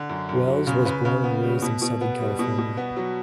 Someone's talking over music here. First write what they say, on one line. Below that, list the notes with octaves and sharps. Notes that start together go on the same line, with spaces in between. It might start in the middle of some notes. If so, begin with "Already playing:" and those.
Welles was born and raised in Southern California.
Already playing: D3
F#2
F#2
F#3
C#3
C#3 B4
C#3
B3
G3
B2
B2
B3
G3
B2
B2
B3
F#3